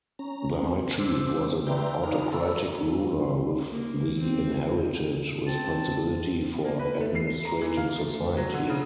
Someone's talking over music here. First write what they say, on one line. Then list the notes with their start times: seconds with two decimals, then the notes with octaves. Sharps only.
The high chief was an autocratic ruler with the inherited responsibility for administrating society.
0.19 C#4 A#5
0.59 C4
0.98 C5 D6 E6
1.67 B4 D5 E5 G5 A#5 C6
2.04 D#4 B4 C#5 D5 F5 A#5
2.32 A4 D5 A#5 B5 C#6 E6
3.71 A#3
4.19 C4
5.47 C4 A5
6.65 A#3
6.79 B4
7.00 A3
7.15 C7
7.45 A#5
7.61 E3
7.77 F5
7.98 A3
8.13 A3
8.37 F#3
8.53 D3
8.69 C#3